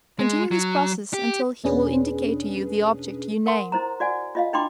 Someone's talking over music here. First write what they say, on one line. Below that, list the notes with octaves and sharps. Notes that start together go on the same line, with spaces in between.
Continue this process until he will indicate to you the object you name.
G#3
F#3
G4
E2 B2 C#4 D4 G#4 B4
A#4 F#5 C6
E4 C5 A#5
F#4 D5 F#5 G#5
F4 D#5 F5
D4 E4 G5 B5 C6 D6